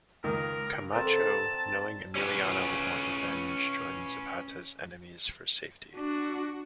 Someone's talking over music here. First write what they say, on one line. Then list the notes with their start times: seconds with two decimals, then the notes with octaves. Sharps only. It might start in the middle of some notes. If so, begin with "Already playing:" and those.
Camacho, knowing Emiliano would want revenge, joined Zapata's enemies for safety.
0.24 C#2 D#3 A#4
0.94 C4 F#4 A4 A#4 D5 A5
2.16 C#4 B4
5.96 D4 F#4